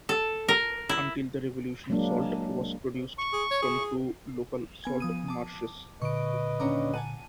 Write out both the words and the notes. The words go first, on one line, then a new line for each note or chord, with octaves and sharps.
Until the Revolution salt was produced from two local salt marshes.
A4
A#4
E4
F#3 G#3 A#3 D4
C#6
G#4
C#5
G#4
B3 G#5 G#6
F3 D#6 D#7
A5 D6
A#2 D3 B4 D#5 C#6 D7
D#2 C#4 D4 A#5 D6
F#5 G#5 A5 D#7